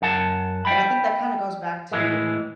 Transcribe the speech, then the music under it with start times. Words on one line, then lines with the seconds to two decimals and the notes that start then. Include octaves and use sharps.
and, I think that, kinda goes back to
0.02 F#2 F#5 A5
0.65 G5 B5
1.92 A2 E3 G#3